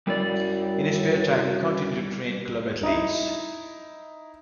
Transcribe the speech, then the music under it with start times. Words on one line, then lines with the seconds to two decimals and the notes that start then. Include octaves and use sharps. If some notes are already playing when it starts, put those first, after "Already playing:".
In his spare time he continued to train club athletes.
0.07 F#2 G3 E4 D5
2.83 D#4 E4